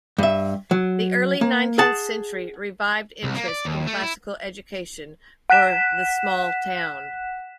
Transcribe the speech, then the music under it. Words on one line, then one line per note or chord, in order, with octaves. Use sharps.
The early nineteenth century revived interest in classical education for the small town.
G2 E5
F#3
A#3
G#4 F#5 A5
C2
A#3
D5
D#2
A3
E4
F#5 F#6 B6 E7